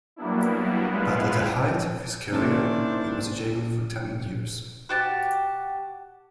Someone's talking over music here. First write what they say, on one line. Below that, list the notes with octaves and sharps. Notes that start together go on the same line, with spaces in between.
But at the height of his career, he was jailed for ten years.
F#3 G3 A#3 B3 D4 E4
G#3 B3 E4 F4 B4 F5
D#3 A#3 C#4 D4 E4 C5
F#4 G4 A5